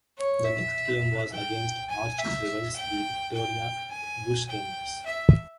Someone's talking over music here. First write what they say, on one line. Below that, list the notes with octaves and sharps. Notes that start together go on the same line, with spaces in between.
The next game was against arch-rivals the Victoria Bushrangers.
C#5
E5
G5
G#5
E5
G5
G5
G#5
G5
E5